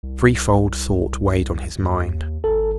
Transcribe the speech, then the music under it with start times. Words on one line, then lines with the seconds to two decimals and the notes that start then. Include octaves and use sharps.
A threefold thought weighed on his mind.
0.03 C2
1.80 D#2
2.44 G#1 A4